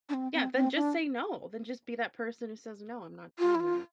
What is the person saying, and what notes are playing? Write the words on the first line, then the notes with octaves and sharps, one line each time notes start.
Yeah, then just say no, then just be that person who says, "No, I'm not doing that."
D4
C4
C4
C4
D4
F4
E4
F4